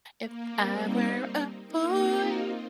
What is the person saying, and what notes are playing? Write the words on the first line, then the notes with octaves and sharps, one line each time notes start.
If I were a boy,
A#3
G3 C4
A#3 D#4
A#3 D#4
C4 F4
A#3 D#4